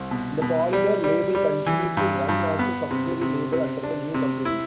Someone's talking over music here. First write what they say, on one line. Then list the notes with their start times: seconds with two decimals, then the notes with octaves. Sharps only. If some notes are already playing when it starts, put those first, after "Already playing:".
The "Polydor" label continued to run as a subsidiary label under the new company.
Already playing: C2
0.11 B2
0.42 B2
0.73 G3
1.04 G3
1.35 G3
1.66 E3
1.97 G2
2.29 G2
2.59 B3
2.91 C3
3.21 C3
3.53 C3
3.84 D4
4.14 C3
4.45 E4